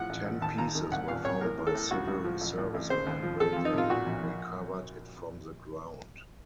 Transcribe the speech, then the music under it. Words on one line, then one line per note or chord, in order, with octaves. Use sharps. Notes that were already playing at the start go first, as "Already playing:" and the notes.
Ten pieces were found by civil servicemen when they recovered it from the ground.
Already playing: A2 F3 F#5
A1
A1
D#2 A5
D#2 A#5
D#3
C2 F#5
A#2 F5
C2 C#5
A2 A#4
A2
A4
A2
C#2 F#4
C#2
F3
A1
A2
A1
C#3 C5
D#2
F3
F2 A4
F2 F4
D#4
C3 F4
A#2 F#4
A#1
A#1